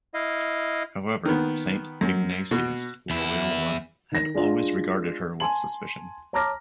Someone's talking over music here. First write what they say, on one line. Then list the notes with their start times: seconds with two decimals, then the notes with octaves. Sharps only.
However, Saint Ignatius Loyola had always regarded her with suspicion.
0.14 E4 D#5 F5
1.25 D#3 B3
2.01 F#2
2.51 B2
3.10 E2 E4
4.12 D#3 A#6
4.34 G#3 D4 F4
5.40 G#5 A5 C6 F#7
6.33 C#5 A5 A#5 D6 F6 A#6